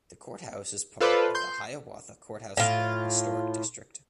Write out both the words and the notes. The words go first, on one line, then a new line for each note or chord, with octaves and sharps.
The courthouse is part of the Hiawatha Courthouse Square Historic District.
F4 A4 B4 C5 D5
C6 G6
A2 F4